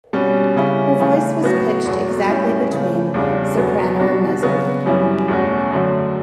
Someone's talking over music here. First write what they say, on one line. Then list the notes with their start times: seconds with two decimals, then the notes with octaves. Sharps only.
Her voice was pitched exactly between soprano and mezzo.
0.13 B2 G3 C#4
0.56 C#3 G3 C#4 E4
1.00 C#3 E3 A3
1.42 A2 F#3 B3 F#4
1.85 E2 B2 F#3
2.28 A2 G3 C#4 E4
2.71 C#3 E3 A3
3.14 E2 C#3 G3 D4
3.57 E2 B2 F#3 B3
4.00 B2 G3 D4 F#4
4.43 C#3 F#3 B3 F#4
4.86 F#2 E3 G3 C#4 E4
5.28 E2 B2 A3 C#4 F#4
5.71 F#2 D3 F#3 A3